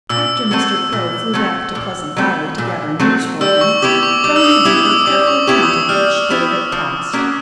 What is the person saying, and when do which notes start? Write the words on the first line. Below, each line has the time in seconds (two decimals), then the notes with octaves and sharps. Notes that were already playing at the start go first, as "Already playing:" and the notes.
After Mr. Crow flew back to Pleasant Valley to gather news for him, Brownie Beaver carefully counted each day that passed.
0.09 A#2 E6
0.51 F#3 A3 C4
0.92 A#2
1.33 F#3 A3 C4
1.75 A#2
2.17 F#3 A3 C4
2.58 A#2
2.99 F#3 A3 C4
3.41 G3 E6
3.61 C#6
3.82 B3 E4 G4 D6
4.03 C#6
4.24 G3 D6
4.36 E6
4.44 D#6
4.65 B3 E4 G4 D6
4.85 D6
5.06 G3 D6
5.27 C#6
5.47 B3 E4 G4 C#6
5.63 D#6
5.69 D6
5.89 G3 F6
6.30 B3 E4 G4
6.72 F3
7.13 A#3 C#4 F#4